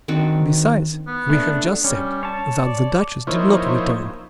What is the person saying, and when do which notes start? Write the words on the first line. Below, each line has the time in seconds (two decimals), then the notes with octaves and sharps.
Besides, we have just said that "the duchess" did not return.
0.08 D#3 C4 D4 F#4
1.07 B3
1.30 A3 D4
1.84 G3 C#4
2.23 C#5 A5
2.65 D5
3.27 F3 A#3 D#4 E4 C5 C#5